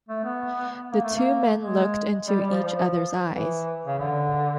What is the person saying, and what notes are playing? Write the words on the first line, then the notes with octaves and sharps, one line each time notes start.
The two men looked into each other’s eyes.
A3
B3
A#3
A3
A#3
G#3
G3
G3
F3
F3
E3
C#3
D3